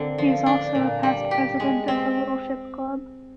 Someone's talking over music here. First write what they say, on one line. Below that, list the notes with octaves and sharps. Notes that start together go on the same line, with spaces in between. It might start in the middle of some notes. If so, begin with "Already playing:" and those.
He is also a past-president of the Little Ship Club.
Already playing: D3 A#3 C4
F3
D4
A#2
G3
G4
G#3
C4